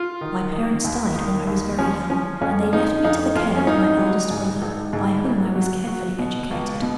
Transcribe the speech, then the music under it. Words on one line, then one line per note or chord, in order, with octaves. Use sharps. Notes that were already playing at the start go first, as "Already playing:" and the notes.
My parents died when I was very young, and they left me to the care of my eldest brother, by whom I was carefully educated.
Already playing: F4
D#3
D#3
D#2
D#3
D#2
F3 C#4
F3 C#4
F2 C#4
F3 D#4
F2 D#4
F2 F4
C#4
G#1 D#4
F#3
G#2
G#1
G#2
G#1
F#3
F#3
B2
C#2
B2